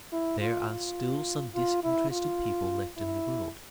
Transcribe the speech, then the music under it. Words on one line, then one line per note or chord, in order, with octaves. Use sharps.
There are still some disinterested people left in the world.
E4
F4
F4
F4
E4
F4
E4